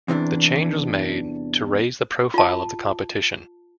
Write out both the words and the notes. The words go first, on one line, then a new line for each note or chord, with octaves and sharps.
The change was made to raise the profile of the competition.
E2 C3 E3 D4
F4 A5